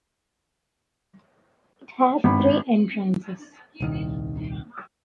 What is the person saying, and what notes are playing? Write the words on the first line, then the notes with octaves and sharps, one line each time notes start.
It has three entrances.
G#1 G2 B5
D#1 C2 D#3